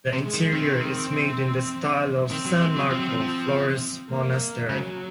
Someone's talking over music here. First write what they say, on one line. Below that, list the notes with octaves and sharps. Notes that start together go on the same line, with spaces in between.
The interior is made in the style of San Marco, Florence monastery.
C3
G#3
D#3
D#3 C4
D#3 C4
F#3
G#3
F#3
F3
F#3
F3
F3
A#3
C#3 F#3